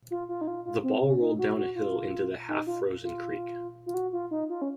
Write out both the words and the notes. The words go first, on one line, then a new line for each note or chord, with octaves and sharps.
The ball rolled down a hill into the half-frozen creek.
F4
F4
D#4
F4
F4
C4
C#4
D#4
F#4
F#4
F4
D#4
F4
F4
F4
F#4
F4
D#4
F4
C#4